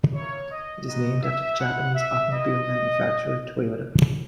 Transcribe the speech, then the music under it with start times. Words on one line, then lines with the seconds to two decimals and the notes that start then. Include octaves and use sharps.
It is named after the Japanese automobile manufacturer Toyota.
0.15 A#3 E4 C#5
0.51 D#5
0.87 G#3 B3 D#4 F#4 D#5
1.23 E5
1.59 G#3 C#4 E4 F#5
1.95 E5
2.31 B3 E4 D#5